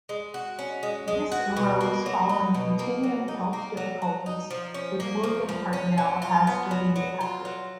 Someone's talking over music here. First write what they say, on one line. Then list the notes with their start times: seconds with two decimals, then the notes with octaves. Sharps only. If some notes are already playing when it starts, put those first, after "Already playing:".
This arose following continuing health difficulties with William Hartnell as the lead actor.
0.09 G#3
0.34 F#4
0.59 C#4
0.83 G#3
1.08 G#3
1.32 F#4
1.57 B2
1.81 A#3
2.06 F#3
2.29 D#4
2.55 B2
2.79 A#3
3.03 F#3
3.28 D#4
3.53 A#3
3.77 F#3
4.02 F#3
4.26 D#4
4.51 F3
4.74 C#4
5.00 A#3
5.23 F3
5.49 F3
5.73 C#4
5.98 F#3
6.22 F4
6.47 B3
6.71 F#3
6.96 F#3
7.21 F4
7.45 F#3